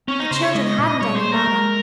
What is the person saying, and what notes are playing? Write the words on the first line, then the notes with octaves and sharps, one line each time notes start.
The children hadn't any Mamma.
C4 C#4
D#4
C#3 C5
C#5
G#3 D#5
A#2
G3 C#5
C5
A#3
A#4
G#3